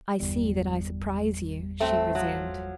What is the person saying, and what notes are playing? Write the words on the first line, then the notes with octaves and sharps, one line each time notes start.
"I see that I surprise you," she resumed.
G1 E2 G3
F#3 A3 C4
F3 F#3